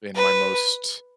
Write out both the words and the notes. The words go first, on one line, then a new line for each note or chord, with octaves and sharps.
in my most
B4